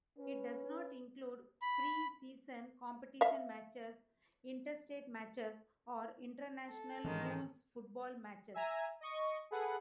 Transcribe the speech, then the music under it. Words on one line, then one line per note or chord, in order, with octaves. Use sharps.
It does not include pre-season competition matches, interstate matches or international rules football matches.
C#4 B4
B5
E5 F5
A4
G#2 D#3 E3 G#3 C#4
E5 G#5 A#5
D#5 C#6
G#4 A4 B4 F#5